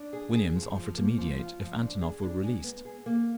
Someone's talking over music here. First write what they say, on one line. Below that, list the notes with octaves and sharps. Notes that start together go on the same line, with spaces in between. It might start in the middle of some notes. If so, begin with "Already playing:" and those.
Williams offered to mediate if Antonov were released.
Already playing: D4
G#4
G#4
F3
F3
A#3
F3
F4
F3
D4
G#4
D4
G#3
B3
G#4
A#3